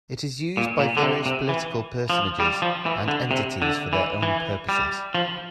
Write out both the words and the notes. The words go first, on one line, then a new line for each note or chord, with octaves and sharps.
It is used by various political personages and entities for their own purposes.
A#2
A#2
D3
C3
C3
E3
F3
G3
F3
E3
D3
C3
D3
E3
E3
G3
F3